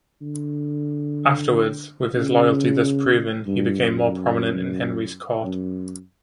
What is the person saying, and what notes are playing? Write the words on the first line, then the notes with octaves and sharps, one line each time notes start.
Afterwards, with his loyalty thus proven, he became more prominent in Henry's court.
D3
C#3
G2
F#2
F#2